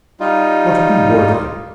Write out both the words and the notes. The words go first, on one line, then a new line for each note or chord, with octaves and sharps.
But who were they?
G3 D#4 F4